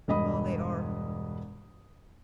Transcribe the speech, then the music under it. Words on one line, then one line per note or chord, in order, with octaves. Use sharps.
Oh, they are.
E1 G2 D#5 B5 D#6